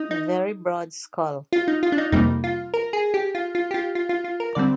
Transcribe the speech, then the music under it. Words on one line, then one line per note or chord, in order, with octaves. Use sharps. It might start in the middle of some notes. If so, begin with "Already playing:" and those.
Very broad skull.
Already playing: D#4
D#4
F4
D#4
F4
D4
D#4
F2 C3 G3 A#3 D#4
F4
A#4
G#4
G4
F4
F4
G4
F4
F4
F4
F4
A#4
D3 G3 C4 D5